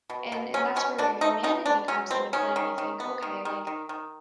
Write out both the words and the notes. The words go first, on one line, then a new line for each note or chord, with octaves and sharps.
and and that's where your humanity comes into play, and you think, "Okay, like,
B2
B2
F#3 C#4
B2 C#4
B2 D4
A3 D#4
B2 D#4
B2 D4
F#3 C#4
B2 C4
D#3 C#4
D#3
D#3
B3
D#3
D#3
D#3
D#3